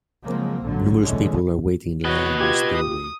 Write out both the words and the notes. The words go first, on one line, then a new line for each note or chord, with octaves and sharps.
Numerous people are waiting in line on a stairway.
C#3 F3 F#3 G#3 A#3 C4
A#1 G#2 D3 F#3
B2 D3 E3 G#3 A3 C#4
F#4 B4 C#5 D#5
F4 G4 G#6
D#6